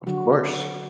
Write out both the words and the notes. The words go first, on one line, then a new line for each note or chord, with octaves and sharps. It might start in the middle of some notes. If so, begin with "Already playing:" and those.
Of course.
D3 F#3 F#4